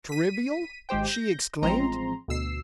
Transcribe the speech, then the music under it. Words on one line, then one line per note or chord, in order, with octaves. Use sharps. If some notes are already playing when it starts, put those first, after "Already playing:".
"Trivial!" she exclaimed.
B6 D#7
G#1 G#3 G4 C5 G5
G6 A#6
A1 F3 G#3 C4 A#5 C6
D2 B2 E6 C7